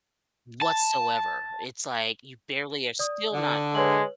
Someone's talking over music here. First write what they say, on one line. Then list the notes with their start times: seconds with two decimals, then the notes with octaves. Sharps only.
whatsoever, it's like you barely are still not
0.62 A5
2.99 D5 D#6
3.34 D3
3.75 G#3 B4 C#5 F#7